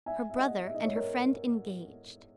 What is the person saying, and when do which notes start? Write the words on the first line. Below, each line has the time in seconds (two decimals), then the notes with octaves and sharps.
Her brother and her friend engaged!
0.06 E5 G#5
0.30 E5
0.36 D#5 F#5
0.67 E5
0.75 D#5
0.84 C#5 E5
0.96 A#4 C#5